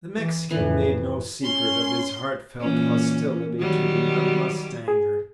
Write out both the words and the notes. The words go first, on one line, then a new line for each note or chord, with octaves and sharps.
The Mexican made no secret of his heartfelt hostility to the young mustanger.
E3
F2 A2 E3
C#4 C6
A#2 E3 C#4
D#3 F#3 G3
G#4